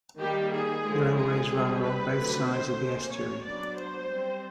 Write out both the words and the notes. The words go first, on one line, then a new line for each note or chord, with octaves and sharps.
Railways run along both sides of the estuary.
D#3 G3 A#3 G4
G#4
D3 F3 G#3
G#4
D3 G3 C4
B4
D3 F#3 A3 C4
C5
F#3 A#3 C#4
C#5
F#3 B3 D4 D5
C5
G3 C4